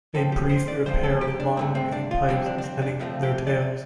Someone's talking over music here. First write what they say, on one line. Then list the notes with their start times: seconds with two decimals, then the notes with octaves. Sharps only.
They breathe through a pair of long breathing pipes extending from their tails.
0.14 A2 F3 C4 A4
0.32 G4
0.50 C5
0.68 D5
0.86 G2 F3 A3 C4 C5
1.03 A4
1.21 G4
1.40 D4
1.57 G2 D3 A3 C4
1.75 C4
1.92 D4
2.11 F4
2.28 F2 D3 G3 C4 D4
2.46 D4
2.58 D4
2.64 C4
2.82 D4
2.99 F2 F3 A3 C4 D4
3.23 G4
3.47 D5